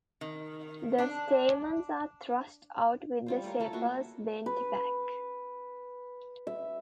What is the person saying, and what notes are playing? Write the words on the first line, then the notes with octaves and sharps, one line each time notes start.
The stamens are thrust out with the sepals bent back.
D#3
D4
G3 F4 C5
A3 F4 A#4 C#5
E4 F4 A4 A5
A#3 F4 F#4 E5
B4
E5